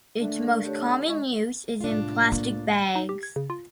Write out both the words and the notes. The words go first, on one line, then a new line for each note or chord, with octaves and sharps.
Its most common use is in plastic bags.
D3 A3 D4
A#4
G4 C#5
G#3 D#5 C#6
C2 A2 A3 D4 F4
A#3
D#4
G4
G#6
C#3
F4